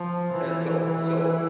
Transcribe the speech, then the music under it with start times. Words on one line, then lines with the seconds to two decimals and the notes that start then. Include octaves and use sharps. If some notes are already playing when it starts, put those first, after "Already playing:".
and so so
Already playing: F3
0.33 E3
0.86 E3